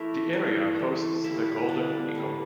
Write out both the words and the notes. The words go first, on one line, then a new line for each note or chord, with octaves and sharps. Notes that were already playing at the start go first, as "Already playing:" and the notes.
The area hosts the golden eagle.
Already playing: E3 A3 E4 A#4
E3 A3 A#4
E3 A3
D3 G3 A#3 E4
D3 G3 A#3 D4
D3 G3 A#3